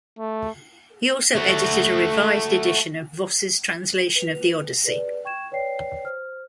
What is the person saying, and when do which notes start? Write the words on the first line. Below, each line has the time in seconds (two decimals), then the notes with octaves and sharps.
He also edited a revised edition of Voss's translation of the "Odyssey".
0.19 A3
1.35 A3 F#4
4.16 B4 F7
4.84 G#4 B4 D5
5.25 G5 C#6 G#6 E7
5.51 B4 C#5 D5 G5 C7
6.05 C5 F6